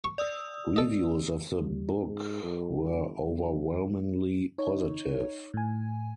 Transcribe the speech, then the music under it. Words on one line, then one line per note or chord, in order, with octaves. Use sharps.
Reviews of the book were overwhelmingly positive.
C#6
D5 D#6 E6
A4 D#5
G3
G#2
F2
G1
B1
D#4 C#5
A2 G#5